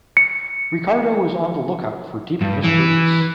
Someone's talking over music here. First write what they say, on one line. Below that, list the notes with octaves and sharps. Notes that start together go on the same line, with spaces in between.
Ricardo was on the look-out for deep mysteries.
C#7
G2
E3